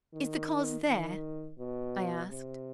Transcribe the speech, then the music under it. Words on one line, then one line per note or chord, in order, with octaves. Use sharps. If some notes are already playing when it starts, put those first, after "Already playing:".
"Is the cause there?" I asked.
D#3
D#3
B2
C3